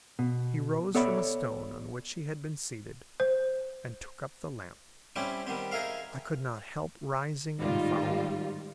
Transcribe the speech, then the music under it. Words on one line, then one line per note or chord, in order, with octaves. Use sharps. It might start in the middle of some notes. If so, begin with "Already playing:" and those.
He rose from a stone on which he had been seated, and took up the lamp. I could not help rising and following.
B2
B3 A4 C#5 D5 E5 B5
C5
G3 C4 C#4 E4 G4
D#3 G3 B3 C4
D#4 G#4 A#4 E5 F5
A1 G#2 D#3 G3 F4